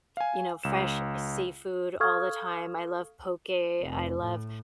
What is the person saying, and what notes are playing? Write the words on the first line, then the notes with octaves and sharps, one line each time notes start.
you know, fresh seafood all the time. I love poke, I love,
F5 G#5
C#2 E7
A4 F5 C#6 D#6 F6 G#6
F1
A2